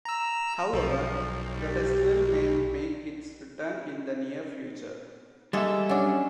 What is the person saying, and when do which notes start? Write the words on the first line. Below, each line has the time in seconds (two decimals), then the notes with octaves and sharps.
However, the festival may make its return in the near future.
0.05 A#5 E6
0.73 B1 F3
1.55 G3
5.53 G3 G#3 A#3 A4 E5
5.89 F#3 C#4 D4